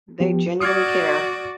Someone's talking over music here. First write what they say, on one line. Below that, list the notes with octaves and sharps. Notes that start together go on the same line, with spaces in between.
They genuinely care.
F3 B3 G4
F#4 D5 D#6 F6 G#6